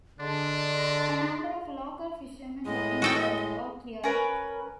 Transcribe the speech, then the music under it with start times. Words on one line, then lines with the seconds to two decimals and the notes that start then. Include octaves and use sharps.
A number of local fisherman were injured or killed.
0.20 D3 D4 G#4 D#5 C6
2.65 A2 G#3 D#5
3.02 F#4 A4 G5
4.04 C#4 A#4 B4